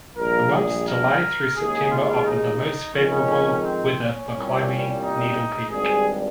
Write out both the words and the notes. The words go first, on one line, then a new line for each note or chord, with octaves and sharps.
The months July through September offer the most favorable weather for climbing Needle Peak.
A#1 A#2 G3 A#4
G#4
A#4
D#2 C#3 G#3 G#4
F4
D#4
F2 D#3 G#3 C#4
C4
C#4
C2 A#2 G3
D#4
G#1 G2 G3 G#4